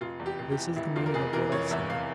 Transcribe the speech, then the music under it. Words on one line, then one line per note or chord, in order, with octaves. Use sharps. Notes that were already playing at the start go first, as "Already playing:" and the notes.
This is the meaning of what I say.
F1 F4
E2
G4
F1
G4
E3
F1 E4
E2 F4
A#4
F1 G#4
E3 A#4
F1 C#5
E2 E5
F5